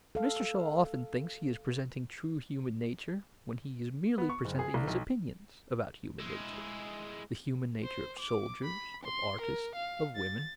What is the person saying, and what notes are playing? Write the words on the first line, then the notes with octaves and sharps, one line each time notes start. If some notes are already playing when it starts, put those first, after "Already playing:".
Mr. Shaw often thinks he is presenting true human nature when he is merely presenting his opinions about human nature--the human nature of soldiers, of artists, of women.
A4 F5
B3
C#6
F#1
G#4
C2
B1
G#3 E4
C5
D6
B5
C6
A#4
F5
A6